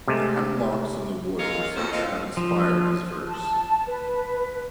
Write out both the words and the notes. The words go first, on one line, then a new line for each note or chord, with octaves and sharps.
The Hemlocks in the wood were said to have inspired his verse.
C3 G#3 A3
G#2 F4 A#4 C#5 D#5 F5
F2 D#3 F3 F#4 C5 F5
F3 C4 D#4 A4 D#5 F5
F3
A5
B4